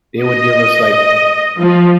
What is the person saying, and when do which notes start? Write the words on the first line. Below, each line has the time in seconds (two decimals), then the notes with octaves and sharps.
they would give us, like,
0.23 D#5
1.59 F3